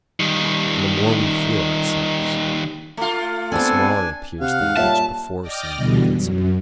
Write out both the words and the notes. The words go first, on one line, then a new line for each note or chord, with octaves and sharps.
And the more we feel ourselves, the smaller appears that which before seemed invincible.
D#3 G3
A3 F4
B3 C4 D4 A4 G#5
C3 F5 F#5
G#2
A#2 G3 C#5 E5 A5
D5 D#5 G5 D6 F6 A#6
B2 D3 E3 G3
F#2